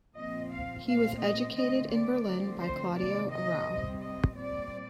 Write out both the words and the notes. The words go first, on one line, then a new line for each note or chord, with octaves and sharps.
He was educated in Berlin by Claudio Arrau.
A#2 F3 C4 D#5
F5
A#2 A3 C4 F5
D#5
D3 A3 C4 D#5
D5
D3 F3 A3 C4
C5
C3 D#3 A#3 D5
D#5
C3 G3 C4
D#5
A#2 G3 C4 D5